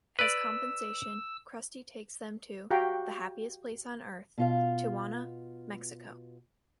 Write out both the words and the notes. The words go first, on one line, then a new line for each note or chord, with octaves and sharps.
As compensation, Krusty takes them to "the happiest place on Earth", Tijuana, Mexico.
B4 D5 E6
F#4 G4 F5 G5 A#5
B2 F4 F5